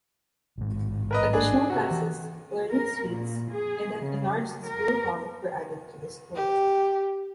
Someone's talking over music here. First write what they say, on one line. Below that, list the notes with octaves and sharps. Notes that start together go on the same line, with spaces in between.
Additional classes, learning suites and an enlarged school hall were added to the school.
A1 G#2
A#4 B4 D#5
D4 G#4
C3 F#4
E3
A#4
A#2
G#4
C#3
F#3
A#4
G4